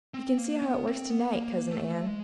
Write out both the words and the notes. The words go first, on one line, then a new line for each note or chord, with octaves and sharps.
"You can see how it works to-night, Cousin Ann!"
C4
A#3
B3
C4
B3
A#3
A3
G#3